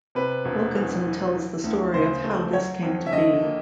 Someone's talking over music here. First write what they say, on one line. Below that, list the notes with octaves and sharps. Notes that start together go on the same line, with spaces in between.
Wilkinson tells the story of how this came to be.
C3 B4
E1
E2
E3
E3
D2
C#3 C5
A3
F#3 C#5
F2
E5
D3 D#5
A#3